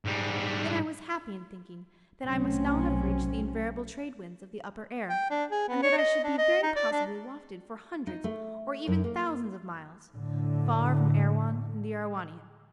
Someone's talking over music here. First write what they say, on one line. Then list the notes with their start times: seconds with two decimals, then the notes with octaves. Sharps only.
Then I was happy in thinking that I must now have reached the invariable trade wind of the upper air, and that I should be very possibly wafted for hundreds or even thousands of miles, far from Erewhon and the Erewhonians.
0.05 G#2 G3
2.23 B1 C3 F#3 A3 C4 C#4
5.09 G5
5.30 D4
5.51 G#4
5.69 B3
5.83 C#5
5.98 D#5
6.24 D4
6.38 D#5
6.63 D#4
6.76 D5
6.92 D4
8.07 D#4
8.24 A3
8.87 F#2
9.04 A#3
10.13 A2 D3